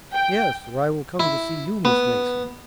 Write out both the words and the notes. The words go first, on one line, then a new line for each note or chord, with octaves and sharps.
"Yes, or I will come to see you, Miss Mason."
G5
E4
B3